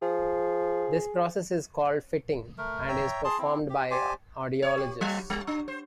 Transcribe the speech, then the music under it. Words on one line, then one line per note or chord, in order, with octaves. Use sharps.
This process is called "fitting" and is performed by audiologists.
F3 G#4
A3 A#4
C#5 E5 G5 A#5
G#4 A5 C6
C4 E4
G4
G4 C5 D5 G#5
C#5
G4
F#3
G3
D4
C5